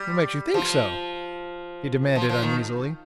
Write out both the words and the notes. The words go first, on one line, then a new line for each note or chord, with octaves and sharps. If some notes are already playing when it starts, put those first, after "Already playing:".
"What makes you think so?" he demanded uneasily.
Already playing: G3
F3
F3
F3
D#3